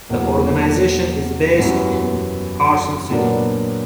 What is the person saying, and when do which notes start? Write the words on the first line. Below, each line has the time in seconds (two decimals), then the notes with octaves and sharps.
The organization is based in Carson City.
0.09 E2 B2 F#3 A#3
1.59 F#2 E3 G3 B3
3.09 A#2 F#3 B3 D4 A#4